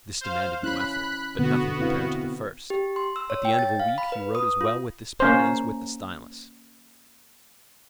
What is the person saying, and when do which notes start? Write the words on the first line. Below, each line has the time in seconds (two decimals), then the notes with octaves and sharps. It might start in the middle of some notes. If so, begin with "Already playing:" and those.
This demanded new effort, but nothing compared to the first; at the end of a week he wrote as well with this pen as with the stylus.
0.21 C5 F5
0.63 C#4 E4 B5 F#6
1.39 B2 D3 B3 F#4
1.80 C4 E4 F5
2.70 G4
2.96 C6
3.16 E6
3.30 C#5
3.45 G5
3.59 A6
3.80 F5
3.98 B5
4.12 B4
4.35 D#6
4.61 F4
5.20 A#3 C#4 C5